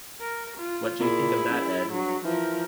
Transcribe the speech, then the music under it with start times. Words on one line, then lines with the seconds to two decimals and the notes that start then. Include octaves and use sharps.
What do you think of that, Ed?
0.20 A#4
0.57 F4
1.00 A#2 E4 G#4
1.50 F#2
1.92 G2 F#3
2.25 E3 F3 A#4